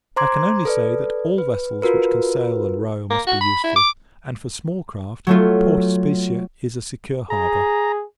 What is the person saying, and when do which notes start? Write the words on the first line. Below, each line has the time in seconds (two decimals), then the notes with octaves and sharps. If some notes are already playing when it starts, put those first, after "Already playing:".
I can only say, that all vessels which can sail and row must be useful; and, for small craft, Port Especia is a secure harbour.
0.16 C5 A#5 C6 D6 G#6
0.65 A4 B4 D5
1.38 B4
1.82 F4 F#4 A#4 B4
3.10 A#3
3.27 F#4
3.41 B5
3.64 E4
3.76 D6
5.27 F#3 A3 F4
7.30 G#4 A#5